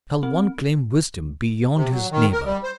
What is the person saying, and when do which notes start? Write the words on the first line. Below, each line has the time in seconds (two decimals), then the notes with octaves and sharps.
Shall one claim wisdom beyond his neighbor?
0.23 C4
1.75 C3
1.91 F#3
2.11 D#3
2.32 A#4
2.45 G3
2.64 C5